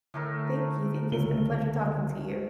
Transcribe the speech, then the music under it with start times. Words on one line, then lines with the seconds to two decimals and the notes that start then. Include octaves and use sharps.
Thank you, thank you. It's been a pleasure talking to you.
0.14 A2 D3 A3 A#4
1.12 C#2 G3 G7